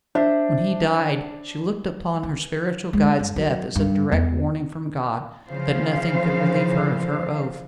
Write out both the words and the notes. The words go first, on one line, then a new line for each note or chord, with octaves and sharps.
When he died, she looked upon her spiritual guide's death as a direct warning from God, that nothing could relieve her of her oath.
D4 C5 E5
E3
G#3
G2
F#3
G2
E2
C#3 E3 F3 C5 F5